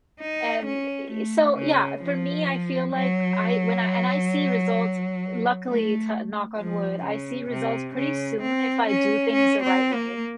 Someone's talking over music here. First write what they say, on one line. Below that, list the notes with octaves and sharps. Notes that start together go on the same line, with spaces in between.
and i so, yeah for me, I feel like I when I and I see results luckily to knock on wood, I see results pretty soon if I do things the right way.
D#4
C#4
A3
C#3
F3
F#3
A3
F3
C#3
C3
C#3
C4
C#4
C#4
C4
A#3